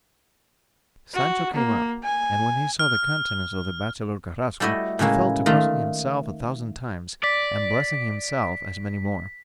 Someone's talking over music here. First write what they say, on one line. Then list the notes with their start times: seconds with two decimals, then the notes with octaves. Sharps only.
Sancho came up, and when he saw the countenance of the bachelor Carrasco, he fell to crossing himself a thousand times, and blessing himself as many more.
1.14 F#4
1.54 A#3
2.03 G#5
2.79 F6
4.60 G3 A3 E4 F#4 D#5
4.99 A2 C#3 G#3 A#3 E4
5.46 D#3 A3 F4
7.24 D5 B6